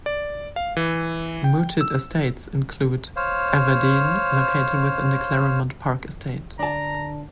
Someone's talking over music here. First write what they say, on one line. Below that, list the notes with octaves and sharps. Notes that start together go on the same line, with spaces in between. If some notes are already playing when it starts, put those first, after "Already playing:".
Mooted estates include "Evadene", located within the Claremont Park estate.
D5
F5
E3
G5
E6
C5 C#5 F5
D3 D4 A5 A#5